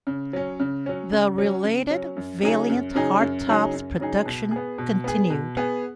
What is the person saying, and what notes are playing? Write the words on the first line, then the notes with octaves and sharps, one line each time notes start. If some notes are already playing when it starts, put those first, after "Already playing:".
The related Valiant hardtop's production continued.
C#3
F#3 C#4
C#3
F#3 C#4
C#3
F#3 C#4
C#3
F#3 C#4
F#2
C#3 F#3 D#4 G#4
F#2
C#3 F#3 D#4 G#4
F#2
C#3 F#3 D#4 G#4
F#2
C#3 F#3 D#4 G#4
B2
B3 G#4
B2
B3 G#4
B2
B3 G#4